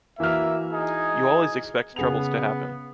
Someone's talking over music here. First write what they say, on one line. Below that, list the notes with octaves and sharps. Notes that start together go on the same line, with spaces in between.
You always expect troubles to happen.
E3 A#3 F#4 E5 F6
D#4 G#4
C#3 B3 G#4 F7